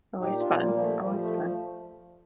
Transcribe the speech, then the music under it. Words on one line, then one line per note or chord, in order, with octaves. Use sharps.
Always fun, always fun.
A#2 D#4 G4
D4 F4
A#2
G3 A#3
F3 G3
A3
F3 G3
A3